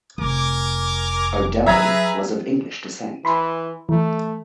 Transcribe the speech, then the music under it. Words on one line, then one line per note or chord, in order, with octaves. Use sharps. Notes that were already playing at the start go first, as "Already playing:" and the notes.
Odell was of English descent.
F1 A#4 G#5 D6
F#3 G#4 B4 E5 A#5 G#6
E3 B5 C6
E3 A3